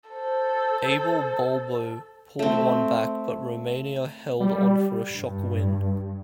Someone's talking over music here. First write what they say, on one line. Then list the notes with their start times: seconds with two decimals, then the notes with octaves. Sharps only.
Abel Balbo pulled one back, but Romania held on for a shock win.
0.10 A4 C5
2.39 A3 C4
4.40 G3
5.08 G2